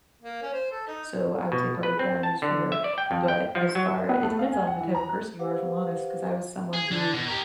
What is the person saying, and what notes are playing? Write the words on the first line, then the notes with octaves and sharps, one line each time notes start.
so I would say probably Ground News for her, but as far it depends on the type of person you are, if I'm honest, 'cause I was someone who
A#3
C#4
C5
A4
D#4
B2
B4
C4
A5
D3
E5
D5
G5
F2
G5
F3
F#3
B3
A3
F5
G#5
F#5
E3
A#5
F#6
G4 B4 C5 F5 F#5 D6
G#4
D3 D4
B2
G4 A#4